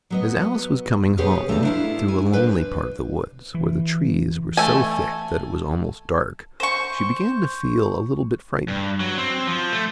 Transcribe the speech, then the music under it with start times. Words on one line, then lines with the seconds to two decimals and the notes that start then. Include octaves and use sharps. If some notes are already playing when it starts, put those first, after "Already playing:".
As Alice was coming home, through a lonely part of the woods, where the trees were so thick that it was almost dark, she began to feel a little bit frightened.
0.10 F#3 B3 D#5
1.18 B2 B3 G4 G#4 B4 C#5
1.48 F2 A3 D4 F#4 A5 A#5
1.63 D4 E4 F4
2.08 G#5
2.33 C4 D4 B4
3.54 E3
4.57 A3 A4 G#5
6.60 C5 C#6
8.68 G2
9.00 F#3
9.18 C4
9.47 F3
9.73 A3